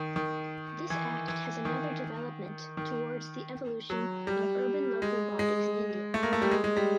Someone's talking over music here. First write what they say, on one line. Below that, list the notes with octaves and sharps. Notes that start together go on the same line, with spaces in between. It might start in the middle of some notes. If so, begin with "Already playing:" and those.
This act has another development towards the evolution of urban local bodies in India.
Already playing: D#3
D#3
E3
E3
D#3
D#3
F#3
G3
G#3
G#3
A3
A#3
A3
G3
G#3
G#3
G3